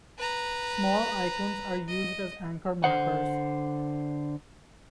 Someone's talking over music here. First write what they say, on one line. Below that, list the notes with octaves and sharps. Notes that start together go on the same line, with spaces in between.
Small icons are used as anchor markers.
B4 A#5
D#5
D3 C5 F#5